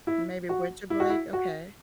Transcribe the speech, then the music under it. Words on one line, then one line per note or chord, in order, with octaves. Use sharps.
Maybe winter break, okay.
E4
F#4
E4
F#4
E4
F#4